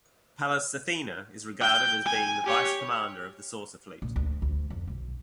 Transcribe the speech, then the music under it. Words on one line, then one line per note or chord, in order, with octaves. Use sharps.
Pallas Athena is regarded as being the Vice-Commander of the saucer fleet.
G5 G6
G#5
G4 C#5
A#2
D2
D2
F2
B1